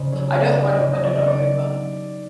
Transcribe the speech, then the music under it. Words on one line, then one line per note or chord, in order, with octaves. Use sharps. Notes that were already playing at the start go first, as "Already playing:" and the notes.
"I don't want to put it on my phone."
Already playing: C#3 D#4 C5 D5
F#3 C#5
B3 D5
D#5
D#4 D5
D#5
C#3 D5
D#5
F#3 D5
D#5
D#4 D5